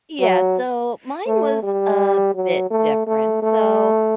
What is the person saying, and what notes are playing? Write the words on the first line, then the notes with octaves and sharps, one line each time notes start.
Yeah, so mine was a bit different. So,
F#3
A3
G3
F#3
A3
A3
A3